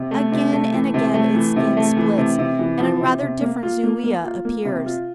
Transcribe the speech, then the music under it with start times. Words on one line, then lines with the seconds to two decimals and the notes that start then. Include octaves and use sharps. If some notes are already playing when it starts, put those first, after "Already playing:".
Again and again its skin splits, and a rather different zoea appears.
Already playing: C3
0.11 A3
0.32 C3
0.53 A3
0.73 E3
0.94 C3
1.14 A3
1.35 E3
1.56 C3
1.77 A3
1.97 E3
2.18 C3
2.39 C3
2.59 E3
2.80 F3
3.01 C3
3.21 C3
3.41 A#3
3.63 F4
3.83 A#3
4.04 A#3
4.24 F4
4.45 A#3
4.65 C3
4.86 F4